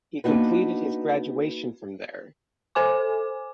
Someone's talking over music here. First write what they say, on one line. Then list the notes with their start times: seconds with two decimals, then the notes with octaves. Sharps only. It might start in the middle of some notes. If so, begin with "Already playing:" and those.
He completed his graduation from there.
0.24 A#3 B3 D4 D#4 F#4 B4
2.75 A4 C5 G#5 D6